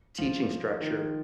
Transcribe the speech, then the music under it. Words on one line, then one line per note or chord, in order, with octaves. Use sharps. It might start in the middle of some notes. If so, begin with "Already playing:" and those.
teaching structure.
F3
D#3